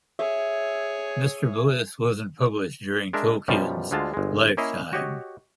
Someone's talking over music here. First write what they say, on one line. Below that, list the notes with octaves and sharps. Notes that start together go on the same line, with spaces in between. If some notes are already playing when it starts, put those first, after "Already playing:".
"Mr. Bliss" wasn't published during Tolkien's lifetime.
G#4 C#5 E5
G#3 D4 A#4 E5
F#2 B2 F3 G3
D2 D3 G#3 F4 A5
G1 G#3
A#3 C#4 E4 D#5 F5
F#4 G4 C#5 D#5